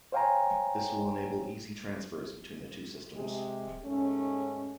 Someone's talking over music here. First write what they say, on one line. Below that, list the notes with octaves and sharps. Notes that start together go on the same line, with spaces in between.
This will enable easy transfers between the two systems.
C5 C#5 F5 G5 G#5 A#5
C3 G#3 G4
D#2 G#2 A3 C#4